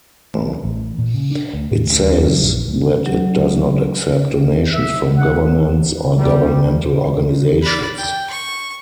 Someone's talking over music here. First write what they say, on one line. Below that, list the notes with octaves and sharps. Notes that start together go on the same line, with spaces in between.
It says that it does not accept donations from governments or governmental organizations.
A1
A#2
C#3
D4
D2
A2
D2
D#2
F#2
A#1
D2
F#3
E5
F#5
E2 G3
D5 B5
G5
C#6